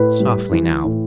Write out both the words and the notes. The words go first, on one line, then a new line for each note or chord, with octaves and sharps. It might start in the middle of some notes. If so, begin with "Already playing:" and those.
Softly now.
Already playing: A2 B4
G3
E3
A2